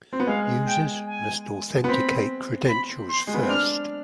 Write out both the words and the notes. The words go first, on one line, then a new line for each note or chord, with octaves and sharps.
Users must authenticate credentials first.
C4
B3
G#3 F5
G5
G#5
B3
C4 B5
B5
C6
G#3
B3
C4
D4 F6